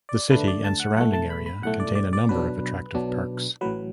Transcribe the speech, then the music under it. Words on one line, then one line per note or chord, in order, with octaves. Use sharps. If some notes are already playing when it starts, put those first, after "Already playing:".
The city and surrounding area contain a number of attractive parks.
D5
D2 D3 A3 D4 B4
D5
A5
F#5
B1 A2 A3 F#5
A5
B5
B5
B1 A2 A3 F#5
D5
D5
D5
B1 B2 F#3 D4 B4
B1 B2 F#3 D4
A1 A2 F#3 B4